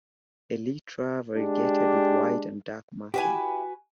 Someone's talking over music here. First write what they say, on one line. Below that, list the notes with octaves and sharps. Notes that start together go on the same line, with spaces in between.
Elytra variegated with white and dark markings.
G#3 D4 G4
E4 F#4 G4 B4 G#5